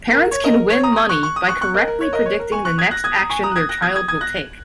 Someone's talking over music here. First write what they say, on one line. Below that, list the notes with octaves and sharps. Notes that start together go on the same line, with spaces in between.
Parents can win money by correctly predicting the next action their child will take.
A#4
C#5
A#4 D#5
A#4
C#5
A#5 D#6
D#6 G#6
C#6 F#6
C#6
D#6
C#6 F#6
C#6 F#6
A#4 D#5
A#4
C#5
A#4 D#5
C#5
A#4
G#5 C#6
C#6 F#6
D#6 G#6
F#6 A#6
D#6 G#6
A#5 D#6
G#5 C#6
A#5 D#6
F#6
D#6 G#6
F#6 A#6
D#6 G#6
D#6 G#6
D#6 G#6
F#6 A#6